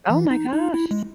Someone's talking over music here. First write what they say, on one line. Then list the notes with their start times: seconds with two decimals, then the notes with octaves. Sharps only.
Oh my gosh.
0.10 E3
0.31 D#4
0.53 D#4
0.74 E4
0.91 G#3